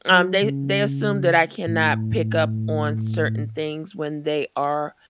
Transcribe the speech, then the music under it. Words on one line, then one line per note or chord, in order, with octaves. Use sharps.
um, they they assume that I cannot pick up on certain things when they are
F#3
C#3
A2